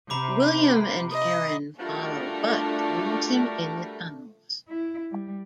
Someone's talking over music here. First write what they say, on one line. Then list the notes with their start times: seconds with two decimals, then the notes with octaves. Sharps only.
William and Aren follow, but lose him in the tunnels.
0.10 C3 A#5 B5 D6
1.12 D#5
1.79 G3 A3 D4 F4 F#4 A#4
4.69 E4
5.11 G3